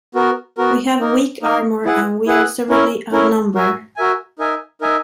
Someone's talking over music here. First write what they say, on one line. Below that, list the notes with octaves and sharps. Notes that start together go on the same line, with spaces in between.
We have weak armor and we're severely outnumbered.
B3 F#4 A#4
B3 F#4 A#4
A#3 D#4 A#4
A#3 D#4 A#4
E4 G#4 B4 F#5
E4 G#4 B4 F#5
C#4 E4 A#4
C#4 E4 A#4
F#4 A#4 E5 G#5
F#4 A#4 E5 G#5
D#4 A#4 E5 G#5
D#4 A#4 E5 G#5